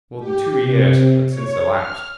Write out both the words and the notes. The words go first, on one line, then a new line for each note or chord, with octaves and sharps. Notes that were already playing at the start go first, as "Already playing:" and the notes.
More than two years had since elapsed.
G4
C3
C#5
F6